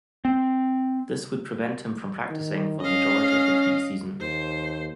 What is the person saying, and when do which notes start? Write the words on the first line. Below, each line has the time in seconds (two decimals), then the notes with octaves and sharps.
This would prevent him from practicing for the majority of the preseason.
0.25 C4
2.30 D#3
2.80 C#4 D#5 F5
4.20 D#2 C5